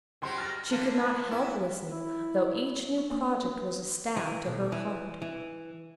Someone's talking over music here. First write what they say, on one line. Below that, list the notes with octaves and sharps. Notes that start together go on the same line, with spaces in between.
She could not help listening, though each new project was a stab to her heart.
C#2 F#3 G3 C4 C6
F6 A6 A#6
D3 E3 A#3
G#1 E4
E4
D4
A#3
B4
E3
B1
E3
E3